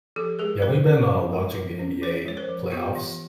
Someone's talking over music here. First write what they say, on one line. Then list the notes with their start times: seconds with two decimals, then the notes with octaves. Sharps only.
Yeah, we've been, uh, watching the NBA playoffs,
0.16 F3 G4 A4
0.39 G#3 G#4 A#4
0.62 F3 A#4 C5
0.86 C#4
1.09 F3
1.33 G#3
1.55 F3
1.79 C#4
2.02 F3 B4 C#5
2.26 G#3 C#5
2.37 A#4 C5
2.49 F3
2.72 B3 F4 G4
2.95 E3